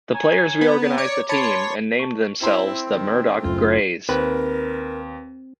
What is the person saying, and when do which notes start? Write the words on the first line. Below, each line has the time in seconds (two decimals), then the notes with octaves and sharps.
The players reorganized the team and named themselves the Murdock Grays.
0.15 C#5 G#5 A#5
0.61 B3
0.98 C#5 D5 D6
1.29 C#5 A5 B5 C6 A6
1.99 A5 C#6
2.41 C4 E4 C5 C6
2.88 D#3
3.42 F#1 F#2 A3 F4
4.09 D#2 C4 A#4 B4